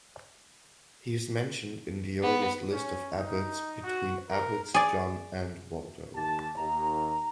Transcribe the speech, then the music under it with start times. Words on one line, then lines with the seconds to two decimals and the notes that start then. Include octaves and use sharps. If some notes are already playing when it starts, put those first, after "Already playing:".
He is mentioned in the oldest list of abbots between Abbots John and Waldo.
2.23 B3
2.71 C#4
3.15 D#4
3.84 F#4
4.29 A#4
4.74 G#4 D5
6.15 D#2 G4 A5
6.57 D#2 A#5